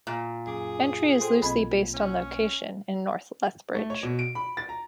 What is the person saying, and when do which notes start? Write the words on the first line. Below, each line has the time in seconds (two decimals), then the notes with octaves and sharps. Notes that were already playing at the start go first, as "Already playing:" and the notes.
Entry is loosely based on location in north Lethbridge.
0.07 A#2
0.47 F#2 G#4 D6
1.20 A4 C5 G5 C6 D#6
1.42 B1 A#3 C4 D#5 B5 G#6
1.94 C#4
3.75 A3
3.90 C#5
4.03 B2
4.19 D7
4.35 B5
4.57 A6
4.69 A#5